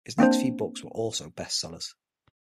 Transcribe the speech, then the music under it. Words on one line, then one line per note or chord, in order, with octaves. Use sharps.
His next few books were also bestsellers.
A#3 C4 D4 C5